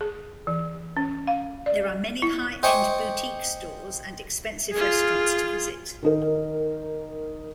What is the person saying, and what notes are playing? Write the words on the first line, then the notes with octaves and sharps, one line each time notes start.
There are many high-end boutique stores and expensive restaurants to visit.
G#4
E3
C#4
F5
D5
E4
C5 D#5 G5 G#5 C#6 D6
F4 G#4
D#3 D#4 A#4